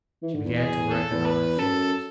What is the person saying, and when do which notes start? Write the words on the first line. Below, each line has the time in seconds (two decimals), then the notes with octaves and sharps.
She began to reckon on her fingers.
0.22 E3
0.34 D3
0.45 E2
0.56 G#4
0.90 E2 A4
1.11 E2
1.25 B4
1.59 F#2 A4